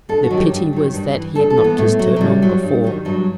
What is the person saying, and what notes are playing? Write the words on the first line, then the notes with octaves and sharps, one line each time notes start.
The pity was that he had not kissed her long before.
G2 A4
F#4
D#3 F#3
G4
G2
D#3 F#3
G2
E3
G2 A4
A4
E3
B3
A2 A3
F#3
F#3
A2 G3
F#3
G2
D#3 F#3
G2 F#3